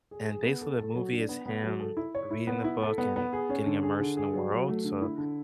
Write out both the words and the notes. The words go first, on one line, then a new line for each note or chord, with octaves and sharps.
and, basically, the movie is him reading the book and getting immersed in the world, so,
G#4
G#4
B3
A4
A4
F#3
D4
B3
B3
F#3
A4
E4
C#5
E4
B3
E4
A4
B3
B3
G#4
C#4
D3
G#4
D3
G#4
F#3
F#3
A3
D3
E4
D3